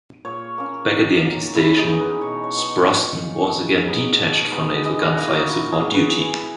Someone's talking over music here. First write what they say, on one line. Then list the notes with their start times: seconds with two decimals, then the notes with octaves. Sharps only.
Back at Yankee Station, "Sproston" was again detached for naval gunfire support duty.
0.25 A#2 C#5
0.58 A#3 C#4
0.91 D#3
1.23 F#3 A#3
1.55 C#3 E4
1.78 D#4
1.88 E3 B3
2.00 B4
2.21 B2 C#5
2.44 C#5
2.55 F#3 B3
2.88 A#2 C#5
3.21 A#3 C#4
3.53 C#3
3.86 F#3 B3 D#4
4.18 B2
4.51 G#3 B3 D#4
4.85 E3 D#5
5.00 F#4
5.17 A#3 D#4 E4
5.33 D#4
5.49 A#2 E4
5.72 G#4
5.83 F#3 B3
5.94 B4
6.16 E3